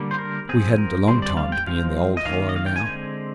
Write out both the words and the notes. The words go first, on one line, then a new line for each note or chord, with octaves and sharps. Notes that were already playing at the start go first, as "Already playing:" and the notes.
We hadn't a long time to be in the old Hollow now.
Already playing: D3 G3 A#3
C5
A#4
F3 C4 G#4
A#4
D3 G3 C4 C5
D5
F5
G5
F3 G#3 C4 F5
D#5
D#3 A#3 F5
D#5
F5
G5
G#5
D3 G#3 C4